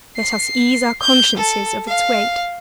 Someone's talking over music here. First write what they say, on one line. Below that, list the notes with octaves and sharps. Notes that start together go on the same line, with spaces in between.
Let us ease our consciences of its weight.
C7
G6
A4
F5